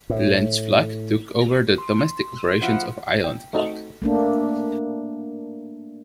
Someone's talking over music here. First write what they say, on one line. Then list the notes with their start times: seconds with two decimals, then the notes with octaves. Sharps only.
Landsflug took over the domestic operations of Islandsflug.
0.10 A2
1.78 C6
2.62 F3 E4 F4 F#5
3.24 G5
3.53 A3 C4 D#4 F#4 A4
4.02 A3 A#3 D4